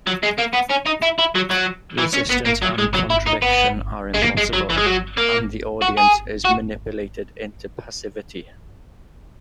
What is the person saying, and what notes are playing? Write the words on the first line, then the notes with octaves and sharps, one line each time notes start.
Resistance and contradiction are impossible, and the audience is manipulated into passivity.
F#3
G#3
A#3
B3
C#4
D#4
E4
E4
F#3
F#3
E3
C#4
B3
A#3
F#3
G#3
F#3
E4
D#4
B3
G#3
A#3
G#3
F#3
E3
G#3
F#3
A#3
F#4
G#4
F#4